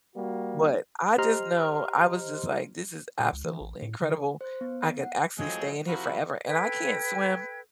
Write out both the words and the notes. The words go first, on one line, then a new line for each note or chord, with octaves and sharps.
but I just know I was just like, "This is absolutely incredible. I could actually stay in here forever." And I can't swim,
G3 A#3 F#4
G4 C5 D#5 A#5 C6 F6
A#2
C#2
E3
A1
A2
D3
C5
B3
F#5
A2 F3 F#3 G#3 C4 G#4
C3 F3 E4 F#4 A#4 B5
A4 B4 G5 G#6